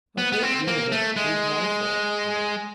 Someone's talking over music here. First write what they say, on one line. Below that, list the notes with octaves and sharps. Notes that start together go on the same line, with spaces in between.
'A great deal of it is my fault, dear.
B3
B3
C4
A#3
A3
G#3